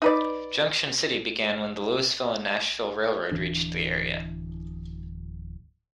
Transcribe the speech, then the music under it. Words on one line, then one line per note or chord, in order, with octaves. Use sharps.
Junction City began when the Louisville and Nashville Railroad reached the area.
D#4 B4 D5
D1 E3 D4